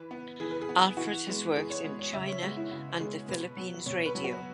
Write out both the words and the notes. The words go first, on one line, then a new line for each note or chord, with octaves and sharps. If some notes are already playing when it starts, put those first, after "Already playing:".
Alfred has worked in China and the Philippines Radio.
Already playing: E3 B4
B3
E3 G#4
B4
G#4
B3
E3 F#4
G#3 B3
E3 G#4
C#5
G#3 B3
C#5
C#3 E5
C#5
G#3 B3 F#4
E4
C#3 F#4
G#3 B3 G#4
B2 B4
F#3 B3
B2 C#5
B4
F#3 B3
F#4